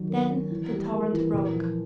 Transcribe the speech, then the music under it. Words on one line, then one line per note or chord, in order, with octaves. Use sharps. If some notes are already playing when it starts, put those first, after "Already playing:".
Then the torrent broke.
Already playing: D#3 F#3
A#3
C#4
E3
G3
A#3
E3
A#2
F3